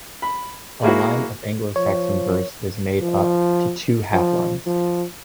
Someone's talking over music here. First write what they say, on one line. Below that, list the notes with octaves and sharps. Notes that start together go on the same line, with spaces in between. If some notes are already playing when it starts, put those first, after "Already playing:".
A line of Anglo-Saxon verse is made up to two half-lines.
B5
G#3 A#3 E4 F#4
F3 C#5
F3
F3
F3